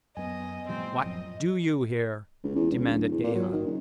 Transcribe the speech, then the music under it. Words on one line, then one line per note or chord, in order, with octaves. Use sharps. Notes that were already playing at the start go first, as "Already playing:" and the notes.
"What do you here?" demanded Gahan.
F#2 B3 D#5 G#5
A2 F3 G3 C4
F#2 F3 D#5
C#2
E2
C#2
D1
E2
A#2
F#3
D#3
F#1